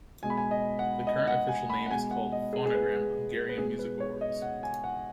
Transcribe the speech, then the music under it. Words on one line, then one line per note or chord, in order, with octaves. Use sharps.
The current official name is called "Fonogram - Hungarian Music Awards".
B2 G#3 G#5
B5
G#5
D#5
F#5
D#5
D#5
F#5
G#5
B5
F#5
B2 G#3 G#5
F#5
D#5
G#4
G#4
B4
B4
B2 G#3 G#4
B4
C#5
D#5
F#5
G#5
F#5